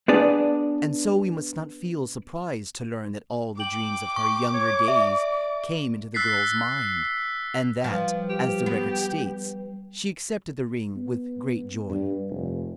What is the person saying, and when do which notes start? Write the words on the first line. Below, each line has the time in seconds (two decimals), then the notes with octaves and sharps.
And so we must not feel surprised to learn that all the dreams of her younger days came into the girl's mind, and that, as the record states, "she accepted the ring with great joy."
0.08 B3 D4 G#4 D5
3.60 G5 D6 F#7
4.16 C#6
4.54 C#5
4.88 D5 E5
6.14 E6 F#6 A6 B6 C7
7.84 F3 G3 B4
8.30 G4
8.66 B3
10.96 B3
11.90 G2
12.29 F1